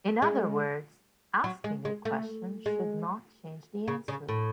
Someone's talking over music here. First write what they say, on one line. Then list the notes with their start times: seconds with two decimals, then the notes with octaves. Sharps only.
In other words, "Asking a question should not change the answer".
0.22 G#3
1.44 F#3
1.64 G#3
1.85 G#3
2.05 A3
2.66 G#3
3.88 C#3
4.08 C#3
4.29 A2